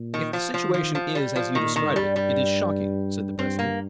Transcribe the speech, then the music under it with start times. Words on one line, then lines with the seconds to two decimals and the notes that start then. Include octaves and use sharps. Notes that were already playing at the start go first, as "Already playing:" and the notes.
"If the situation is as you describe it, it is shocking," said the President'.
Already playing: A#2
0.14 D#3
0.33 F3
0.54 F3
0.64 D#3
0.74 F3
0.95 F3
1.15 G3
1.36 F3
1.55 A#2 D#3
1.76 D#3
1.86 G2
1.96 G3
2.16 G3
3.38 G2 C4
3.59 A#3